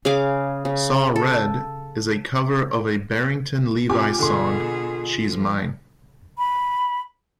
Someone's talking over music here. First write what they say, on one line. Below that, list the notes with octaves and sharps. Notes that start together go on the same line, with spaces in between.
"Saw Red" is a cover of a Barrington Levy song, "She's Mine".
C#3 G#4 F5 D6
C#3
A4
C3 F4 G4 G#5 D6
B2 D3 G#4 C6
F3
B5